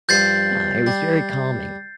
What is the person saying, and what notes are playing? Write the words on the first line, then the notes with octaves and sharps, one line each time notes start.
yeah, it was very calming,
G2 F3 G6 A6 C7
G3